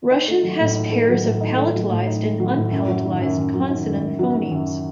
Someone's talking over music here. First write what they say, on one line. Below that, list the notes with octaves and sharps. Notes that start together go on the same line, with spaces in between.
Russian has pairs of palatalized and unpalatalized consonant phonemes.
D#4
A3
F#3
A2
D#4
A3
F#3
A2
D#4
A3
F#3
A2
D#4
A3
F#3
A2
F#2
F#3
D#3
F#2
F#2
F#3
D#3
F#2
F#2
F#3
D#3
F#2